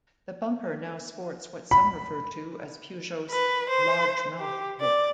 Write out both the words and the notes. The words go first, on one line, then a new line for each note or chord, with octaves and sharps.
The bumper now sports what some refer to as Peugeot's "large mouth" look.
B5
B4
C5
G4
D5